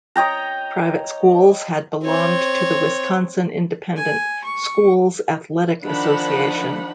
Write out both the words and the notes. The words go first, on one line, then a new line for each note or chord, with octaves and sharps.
Private schools had belonged to the Wisconsin Independent Schools Athletic Association.
C#5 D#5 G5 A#5
C4 C#5
G#5
C#6
D#3 F3 D4 F#5 B5